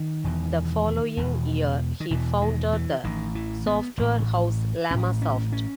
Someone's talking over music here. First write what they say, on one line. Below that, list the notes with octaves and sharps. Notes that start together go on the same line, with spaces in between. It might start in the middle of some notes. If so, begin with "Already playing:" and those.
The following year, he founded the software house Llamasoft.
Already playing: D#3
E1 E2 B2
E1 E2 B2
D#3
E1 E2 B2 E3
D#3
E3
A1 A2 D#3
E3
B3
A1 A2
A1 A2 C#4
C#4
C#4